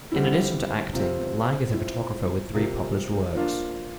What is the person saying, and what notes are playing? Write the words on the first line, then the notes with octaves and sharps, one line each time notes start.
In addition to acting, Lange is a photographer with three published works.
D3 G3 C4 E4
C3 F3 C4 F4
F3 C4 E4
C3 F3 A#3
F3 A#3 D4 F4